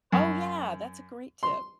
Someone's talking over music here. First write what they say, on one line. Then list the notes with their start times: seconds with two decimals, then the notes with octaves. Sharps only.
Oh yeah, that's a great tip.
0.12 F#2
1.43 C6